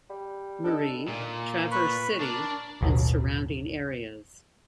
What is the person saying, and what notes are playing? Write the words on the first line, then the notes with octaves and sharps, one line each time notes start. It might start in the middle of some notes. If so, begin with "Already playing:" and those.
Marie, Traverse City, and surrounding areas.
G3
D4 D#4 A4 A5
A#2
B4 B5 C#6
D4 A#4 D5
A1 D#2 B2 F#3